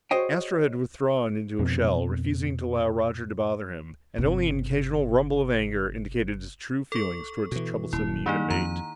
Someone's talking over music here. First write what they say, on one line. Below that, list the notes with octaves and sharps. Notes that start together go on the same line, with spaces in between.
Astro had withdrawn into a shell, refusing to allow Roger to bother him and only an occasional rumble of anger indicated his true feelings toward his troublesome unit-mate.
F#4 G#4 C5 C#5 D#5 G5
F2 B2 B3 C4
G1 C3
A4 C#6
B2 E3
D#1 E4
D#3 G3 A#3 D#4
F2 A#5